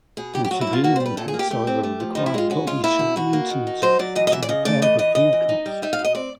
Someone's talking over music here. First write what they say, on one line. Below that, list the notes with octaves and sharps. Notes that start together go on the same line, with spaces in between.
More severe impacts however, require body shop maintenance to repair the vehicles.
B2 G#4
F#3 G4
G4
F#3 F#4
E4
B2
F4
A#3 F#4
C5
G3
B4
A#2 A4
G#4
A#3
G4
A3 G4
C4
A3
F3
F3 D#4
E4
G#3 F4
C#4 F#4
G#3 F4
A#3 E4
B2
B2 F#4
A#3
D#3
D#4
F#3 C5
F#3 D5
E3 D#5
D#5
E3 E5
D5
C#3 D#5
A3 D5
E3 D#5
E3 D#5
E3 D#5
E3
D#4
G3
D#4 E5
F5
B2
D#5
C4 D5